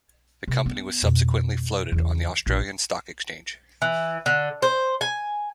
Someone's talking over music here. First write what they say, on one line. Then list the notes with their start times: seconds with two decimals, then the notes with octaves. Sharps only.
The company was subsequently floated on the Australian Stock Exchange.
0.48 C3
0.66 B3
1.02 F2 B2
1.92 E2 C#3
2.46 A#1
3.82 E3
4.26 D3
4.62 C5
5.01 G#5